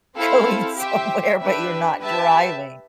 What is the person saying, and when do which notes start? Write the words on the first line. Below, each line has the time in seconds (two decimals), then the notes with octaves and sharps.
going somewhere, but you're not driving.
0.16 C4 E4 A4 C5 F5
0.77 G4 C5 E5 G5
1.39 D4 G4 B4 E5
2.00 G4 B4 E5 A5